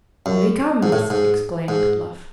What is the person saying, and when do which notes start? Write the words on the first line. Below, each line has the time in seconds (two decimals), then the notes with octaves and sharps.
"There he comes!" exclaimed Bluff.
0.26 F#2
0.83 G#2
0.92 A2
1.10 G#2
1.68 G#2